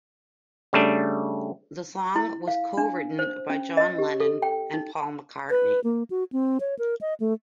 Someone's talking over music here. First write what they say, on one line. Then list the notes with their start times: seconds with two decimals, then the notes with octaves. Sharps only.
The song was co-written by John Lennon and Paul McCartney.
0.73 C#3 G3 A3 D4
2.16 E4
2.48 F5
2.78 D4
3.19 C5
3.50 C#4
3.77 D#5
3.98 G4
4.20 A4
4.42 G5
4.74 D#4
5.50 B4
5.84 A#3
6.10 F#4
6.32 C4
6.60 C#5
6.79 A#4
7.01 D#5
7.20 A3